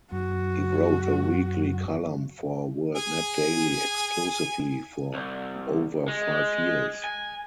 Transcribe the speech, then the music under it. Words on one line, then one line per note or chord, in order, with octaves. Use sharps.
He wrote a weekly column for WorldNetDaily exclusively for over five years.
F#2 F#4
G#4 G#5
C2
G#3
G#5